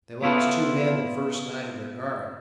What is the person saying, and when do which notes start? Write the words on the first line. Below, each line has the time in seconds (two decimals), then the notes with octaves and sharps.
They lost two men the first night of their guard.
0.22 B3 E4 F4 A4 B4